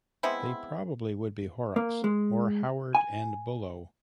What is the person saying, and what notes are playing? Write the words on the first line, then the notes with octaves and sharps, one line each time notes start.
They probably would be Horrocks, or Howard and Bullough.
G#3 B3 C4 E4
A#3
G#3
G#5